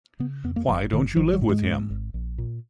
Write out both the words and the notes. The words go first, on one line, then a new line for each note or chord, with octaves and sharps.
Why don't you live with him?
C#3 B3
F2 B3
A#3
F#1 F3
F#1 D#3
G#1 F3
F#3
G#2
G#3
G#2
G#1
A#1
A#2